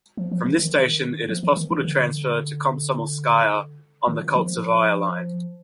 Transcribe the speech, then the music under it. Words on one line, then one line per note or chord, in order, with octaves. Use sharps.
From this station it is possible to transfer to Komsomolskaya on the Koltsevaya Line.
F3
F3
E3
D#3
F3
E3
D#3
E3
D3
D#3
F3